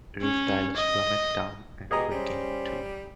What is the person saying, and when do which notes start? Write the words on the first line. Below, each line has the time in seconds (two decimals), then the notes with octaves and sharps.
Roof tilers plummet down and break in two.
0.21 C#4
0.76 D#5
1.91 B2 G4 G#4 D#5 A#5
2.11 G3 C#4 C5